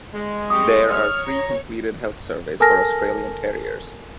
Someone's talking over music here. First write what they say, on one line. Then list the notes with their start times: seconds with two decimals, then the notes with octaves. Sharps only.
There are three completed health surveys for Australian Terriers.
0.15 G#3
0.50 G3 C4 G4 C#6 D#6
0.89 C#5 F6
1.28 A#5
2.60 A4 A#4 G#5 A5 F6 A#6